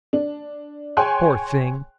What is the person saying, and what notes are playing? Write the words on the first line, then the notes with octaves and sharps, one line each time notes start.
Poor thing!
D4
G#4 C#5 G5 G#5 C6 F#6